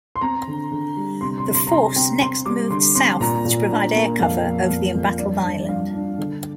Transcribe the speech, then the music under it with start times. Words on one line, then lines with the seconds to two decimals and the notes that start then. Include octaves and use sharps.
The force next moved south to provide air cover over the embattled island.
0.16 C6
0.21 C4 A#5
0.47 D3
0.72 D3
0.97 G3
1.21 C3 C6
1.38 C6
1.46 C4
1.54 C6
1.67 A#5
1.71 C3 C6
1.96 C4 G5
2.21 C4 C6
2.46 G3 D6
2.70 D3 C6
2.95 C4 C6
3.20 A#2 A#5
3.45 A#2
3.71 D4
3.95 A#3
4.19 F2 F5
4.44 A#3
4.70 F2
4.95 F2
5.19 G2 D5
5.44 D4
5.69 G2 F5
5.94 D4
6.18 D3